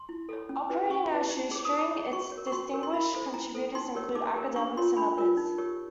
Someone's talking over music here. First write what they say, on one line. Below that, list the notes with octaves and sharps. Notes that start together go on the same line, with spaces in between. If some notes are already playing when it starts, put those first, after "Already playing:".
Operating on a shoestring, its distinguished contributors include academics and others.
Already playing: C6
E4
A4 C#5
C#4
E4 G4 B4
C#4 C#6
E4 G4 B4
D#4
G#4 C#5 D6
D#6
D#4
D6
G#4 C#5
F#4 C#6
C#5
A#4
C#6
F#4 C6
A#4 C#5
C6
E4 B5
A4 C5
E4 A#5
A4 C5
D#4 C6
G4 A#4 C#5
D#4 D6
G4 A#4 C#5
D4 C#6
F4 A#4 C#5 C6
D4 B5
F4 A#4 C#5
D#4
G4 A#4 C#5